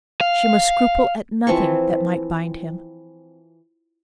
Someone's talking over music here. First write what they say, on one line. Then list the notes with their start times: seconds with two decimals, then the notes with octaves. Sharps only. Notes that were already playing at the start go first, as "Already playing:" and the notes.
She must scruple at nothing that might bind him.
0.21 F5
1.47 E3 F3 C4 C#6